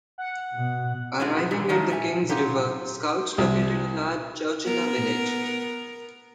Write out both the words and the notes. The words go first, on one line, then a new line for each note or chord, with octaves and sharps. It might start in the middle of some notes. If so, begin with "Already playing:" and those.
Arriving at the King's River, scouts located a large Chowchilla village.
F#5
B2
G#3 B3 E4 F#4 G#4
D#3 E3 G#3 D4
D#3 F#3 G3 A3 A#3 D#4
C#4 E5 G#5
F#3 D#4 F4 G4
C2
B3 A#4